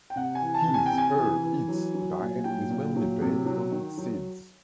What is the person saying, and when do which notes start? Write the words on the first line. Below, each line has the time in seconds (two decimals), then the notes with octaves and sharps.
His/her/its diet is mainly based on seeds.
0.10 G5
0.16 C3 F#5
0.35 G#5
0.41 E3
0.54 A5
0.67 C3
0.74 G#5
0.86 G5
0.92 C3
0.98 G#5
1.17 E3
1.43 E3
1.68 F#3
1.94 F#3
2.19 A#2
2.44 F#3 G5
2.70 A#2
2.96 F#3
3.22 C3
3.46 F#3
3.72 D#3
3.98 F#3